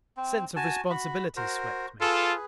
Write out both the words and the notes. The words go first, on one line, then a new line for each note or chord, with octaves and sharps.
A sense of responsibility swept me.
C4
F#4 G#5 A5
F#4 B5
F#4 A#4 C5
F4 G#4 A4 B4